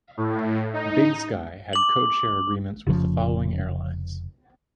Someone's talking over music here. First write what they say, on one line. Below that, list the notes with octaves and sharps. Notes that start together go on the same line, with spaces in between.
Big Sky had code share agreements with the following airlines.
A2
D#4
D6 F#7
F1 C#3 F3